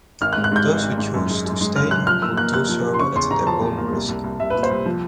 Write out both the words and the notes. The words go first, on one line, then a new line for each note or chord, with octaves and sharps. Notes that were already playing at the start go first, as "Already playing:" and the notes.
Those who chose to stay would do so at their own risk.
G#1 F6
F#6
G#2
F#6
G#2 G6
G#1
G#1
G#2
F#2
G#3
F#2
G#3
C#3 F6
F#2 F#6
F3 F6
A#3 E6
A#3 F#6
C3 F#6
F3
C3
C6
C#3 C#6
E2 C6
E2 A#5
F3 A5
E2
A#3
C2
C2
C2
C2 E5
A#2 B4
C5
C2
F3